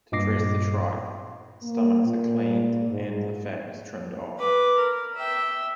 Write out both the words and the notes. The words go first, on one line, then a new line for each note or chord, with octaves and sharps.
To dress the tripe, the stomachs are cleaned and the fat trimmed off.
G2 A#2 D#5 D6 A#6 C7
A#3
A#2
G#2
B4 D6
A#4
E5 G5